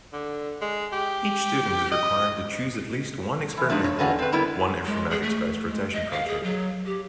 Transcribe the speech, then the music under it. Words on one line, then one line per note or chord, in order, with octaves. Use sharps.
Each student is required to choose at least one experimental one informatics-based rotation project.
D3
G#3
G4
D#5
E3
F3 G#3 D4 D#4
C#5
D3 C#4 F#4 B4 D5 F5
C4 B4
D3 G3 B3 E4 A#4
G#3
G#4
A3
G#3
D#5
F5
G#4
F#3
G4